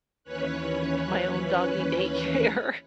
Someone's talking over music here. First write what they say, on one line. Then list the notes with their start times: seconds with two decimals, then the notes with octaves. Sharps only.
m my own doggy daycare.
0.24 D#2 E3 C#4 B4 C#5 F#6